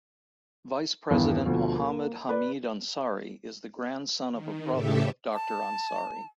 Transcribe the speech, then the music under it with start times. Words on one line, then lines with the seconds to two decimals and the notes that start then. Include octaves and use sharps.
Vice President Mohammad Hamid Ansari is the grandson of a brother of Doctor Ansari.
1.10 E2 G2 D#3 B3 E4
1.45 D2 B2 F3
1.76 A#3
2.29 B4 D5
4.31 D#3
4.71 A2 C#3 G4 A4 E5
5.34 A5